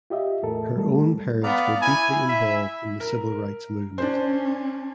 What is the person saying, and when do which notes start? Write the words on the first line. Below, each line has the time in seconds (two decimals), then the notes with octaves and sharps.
Her own parents were deeply involved in the civil rights movement.
0.10 F4 G4 D#5 E5
0.43 E2 A2 A4 A#4
0.76 G3 A3 A4
1.43 B3 D5 F5 A#5
1.82 E4 G#5 B5
2.28 E5
3.00 A#4
3.98 C#4 D4 C5